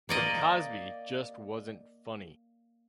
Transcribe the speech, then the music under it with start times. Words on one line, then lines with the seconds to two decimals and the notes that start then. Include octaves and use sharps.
But Cosby just wasn't funny.
0.09 A#3 D5 D#5